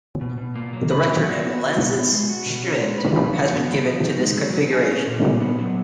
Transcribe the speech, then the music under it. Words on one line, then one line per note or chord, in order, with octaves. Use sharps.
The retronym "lensless Schmidt" has been given to this configuration.
B2
B2
A#3
F#3
B4
F#3
F#4
B3
F#4
B2
B3
G#3
F#4
B2
C#4
G#3
B4
F3
F#4
B3
F3
F3
D#4
G#3
F#3
F#3
G#4
C#4
A#2
A#2
B3
F#3